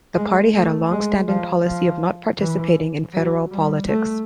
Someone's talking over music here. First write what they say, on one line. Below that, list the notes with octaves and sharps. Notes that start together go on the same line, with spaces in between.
That party had a long-standing policy of not participating in federal politics.
G#3
A3
G#3
F3
F3
E3
F#3
G3
A3